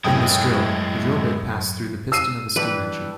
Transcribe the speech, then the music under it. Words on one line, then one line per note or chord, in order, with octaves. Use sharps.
In this drill, the drill bit passed through the piston of a steam engine.
F#2 A2 G#3 E4 G5 D#6
E6 C7 D#7
E3 G3 D4 B4